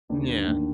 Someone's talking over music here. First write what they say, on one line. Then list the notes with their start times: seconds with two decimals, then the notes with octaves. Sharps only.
Mm, yeah.
0.10 D#2 D4
0.29 D3
0.38 D4
0.47 D#2